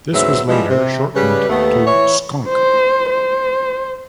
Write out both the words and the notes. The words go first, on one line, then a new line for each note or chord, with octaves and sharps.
This was later shortened to "Skonk".
D2 G#2 F#3 B3 C4 E5
E3 F3 G3 G#3
C3
C#3 G3 B4
D#2 A3 B3
E3 C#5
C5
C5